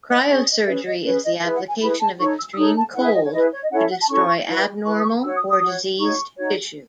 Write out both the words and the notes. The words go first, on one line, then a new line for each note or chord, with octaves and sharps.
Cryosurgery is the application of extreme cold to destroy abnormal or diseased tissue.
D#5
C#4 G#4 C#5 E5
D#5
C#4 G#4 B4 E5
D#5
C#4 G#4 B4 C#5
D#5
E4 G#4 B4 E5
F#5
G#5
E4 G#4 B4 B5
A5
D#4 A4 C#5 C#6
E6
E6
D#4 A4 C#5 D#6
A5
E4 G#4 B4 F#5
E5
D#5
C#5
E4 G#4 B4 D#5
C#5
D#5
C#4 E4 A4 C#5 F#5
E5
F#5
A5
C#4 E4 A4 C#5 C#6
E4 B4
E4 B4 C#6
D#6
C#6
F#4 C#5 E6
D#6
D#6
F#4 C#5
D#4 F#4 C#5 C#6
D#4 F#4 C#5